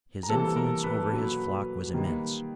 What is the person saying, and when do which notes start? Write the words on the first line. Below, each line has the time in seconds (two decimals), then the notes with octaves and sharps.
His influence over his flock was immense.
0.23 A#5
0.29 C3 E3 G3 A#3 A4 A5
0.56 A#4 A#5
0.83 B4 B5
1.12 B2 F#3 A#3
1.94 D#3 G3 A#3